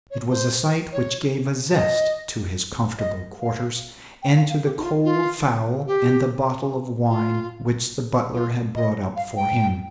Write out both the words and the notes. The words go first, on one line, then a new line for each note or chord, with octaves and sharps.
It was a sight which gave a zest to his comfortable quarters, and to the cold fowl and the bottle of wine which the butler had brought up for him.
C#5
C5
C#5
D#5
D#5
F5
G5
F5
F5
G4
D#4
F4
F4
G4
F4
F4
D#5
F5
G5